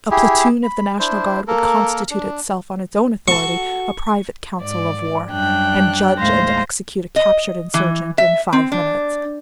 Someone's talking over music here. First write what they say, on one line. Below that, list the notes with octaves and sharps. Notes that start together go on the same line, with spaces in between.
A platoon of the National Guard would constitute itself on its own authority a private council of war, and judge and execute a captured insurgent in five minutes.
E4 G4 G#4
B5
D4 E4 C5
A#3 A4 A#4
D4
F#4 A4 C#6
G#2 D5
F#2 G3 D4 G5 F#6
D#2 A2 G#3 C5 F5 A#6
D#5
E3
E5
C4
D4